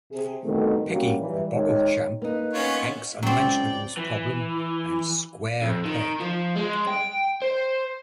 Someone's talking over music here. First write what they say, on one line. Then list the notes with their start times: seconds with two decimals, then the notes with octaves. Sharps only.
"Peggy the Boggle Champ", "Hank's Unmentionables Problem", and "Square Peg".
0.12 C3 G#4
0.44 B2 D3 D#3 G3 A3 C4
0.89 F#3 G3 A#3 C#4 F#4 G4
1.19 E3 G3
1.53 D#3 G#3 C#5
2.22 A#3 D#4 B4
2.53 B3 C#4 F4 C#5
3.23 C#2 F#3 C4 D5 G5
3.97 E3
5.62 F2
5.85 D#3
6.20 F3
6.56 G#3
6.87 G5
7.42 C5